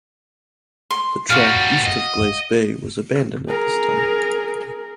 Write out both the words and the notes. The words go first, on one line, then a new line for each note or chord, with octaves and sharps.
The track east of Glace Bay was abandoned at this time.
C6
A#2 G3 F#4 F5
D#5
G#4 A#4